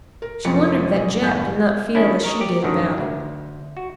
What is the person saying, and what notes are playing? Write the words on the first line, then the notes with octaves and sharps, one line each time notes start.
She wondered that Jap did not feel as she did about it.
A#4
F1 F2 C#4 F4 C6 C#7
B1 D#5
G1 E2 A2 G#5 G6
D#3 F3 C#4 D4 E4
A#4 C#5 D#5
G4 D5
F#2 A2 D3 D#3 F#3
D2
F#4